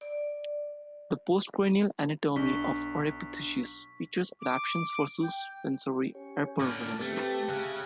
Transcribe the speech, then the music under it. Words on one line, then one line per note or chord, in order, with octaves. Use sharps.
The postcranial anatomy of "Oreopithecus" features adaptations for suspensory arborealism.
D5
B1 D4 C#6 B6
D6
G5
C#4 G4 C#5
A2 D4 D6 F6
A3 C4 G4 B4
C#3 E5 F#6